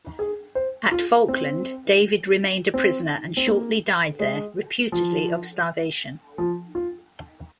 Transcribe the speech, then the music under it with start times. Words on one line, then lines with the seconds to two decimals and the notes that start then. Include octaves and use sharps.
At Falkland David remained a prisoner and shortly died there, reputedly of starvation.
0.19 G#4
0.55 C5
0.92 F4
1.28 C4
2.74 C4
3.37 C4
3.47 A#3
4.20 G#3
4.92 F3
6.38 F3
6.75 F4